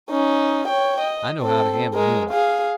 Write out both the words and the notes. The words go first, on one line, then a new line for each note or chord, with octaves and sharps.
I know how to handle him.
C#4 D#4
C#5 G5
D#5
C4 A4
G#3 A#4
G#4 F5